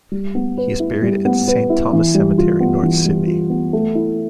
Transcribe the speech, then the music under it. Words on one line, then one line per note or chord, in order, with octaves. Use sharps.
He is buried at Saint Thomas cemetery, North Sydney.
G3
B3
B4
E4
G3
B3
B4
E4
E3
G3
F4
B3
E3
G3
F4
B3
A3
E4